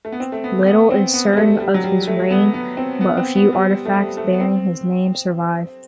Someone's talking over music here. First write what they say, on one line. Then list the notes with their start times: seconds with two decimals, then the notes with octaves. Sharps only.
Little is certain of his reign, but a few artifacts bearing his name survive.
0.05 A3
0.12 B3
0.20 C4
0.32 A3
0.44 B3
0.66 B3
0.91 C4
1.14 B3
1.33 G3
1.37 A3
1.60 G3
1.74 F#3
1.84 G3
2.02 G3
2.07 A3
2.31 B3
2.54 B3
2.77 C4
3.01 B3
3.17 C4
3.36 B3
3.52 G3
3.70 G3
3.85 A3
3.94 G3
4.17 A3
4.33 B3
4.40 C4